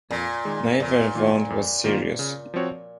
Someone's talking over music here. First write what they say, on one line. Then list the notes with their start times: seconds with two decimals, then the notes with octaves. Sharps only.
Neither wound was serious.
0.11 F2 A#2
0.45 D#3 G#3
0.80 F2 A#2
1.15 D#3 A#3 F4
1.50 F2
1.84 D#3 A#3 F4
2.19 C#3
2.54 F3 C4 F#4 C#5